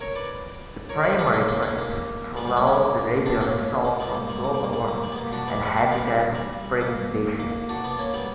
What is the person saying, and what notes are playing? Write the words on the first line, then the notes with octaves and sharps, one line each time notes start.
The primary threats throughout the region result from global warming and habitat fragmentation.
A#4 C#5
B4 D5
A#4 C#5
G4 B4
B3 D4
A#3 C#4
A#3 C#4
A#3 C#4
A#3
G3 B3
G3 B3
A#3 C#4
A#3 C#4
B3 D4
A#3 C#4
A#3
G3 B3
A#3
G3
A#3
G3
A#3
G3
A#3
G3
B3
A#3
D4 F#4
G3 B3
G3
A#3
G3 B3
G3
G3
A#3
A#3
D4 F#4
B3 D4
A#3 C#4
G3 B3